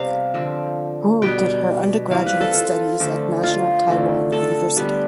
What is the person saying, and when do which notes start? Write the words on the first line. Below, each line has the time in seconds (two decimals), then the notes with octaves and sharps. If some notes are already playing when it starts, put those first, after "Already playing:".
Wu did her undergraduate studies at National Taiwan University.
Already playing: C3 G3 B3 C5 F5
0.34 D3 F3 C4
1.22 B2 G3 B3 G5
2.10 E3 G3 C4 F5
2.26 B4
2.41 A4
2.55 F4
3.00 D3 F3 A3
3.43 F4
3.88 D3 A3 C4
4.32 A4
4.77 D3 G3 B3